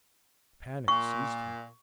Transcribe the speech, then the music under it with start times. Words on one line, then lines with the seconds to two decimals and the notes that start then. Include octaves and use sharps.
Panic seized him.
0.88 A#2 C#6